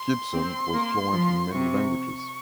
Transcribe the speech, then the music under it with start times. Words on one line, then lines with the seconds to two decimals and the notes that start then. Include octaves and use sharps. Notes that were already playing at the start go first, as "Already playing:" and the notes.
Gibson was fluent in many languages.
Already playing: C6
0.33 C4
0.73 A#3
1.13 F3
1.53 C3 C#6